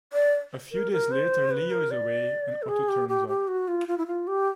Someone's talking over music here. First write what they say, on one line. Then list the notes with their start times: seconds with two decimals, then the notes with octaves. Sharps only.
A few days later, Leo is away, and Otto turns up.
0.13 D5
0.72 A#4
0.92 A#4
1.11 C5
1.51 B4
1.71 A#4
1.91 D5
2.62 A4
2.69 G#4
2.89 G4
3.09 G4
3.28 G4
3.48 F#4
3.68 F4
3.88 F4
3.98 E4
4.07 F4
4.27 G4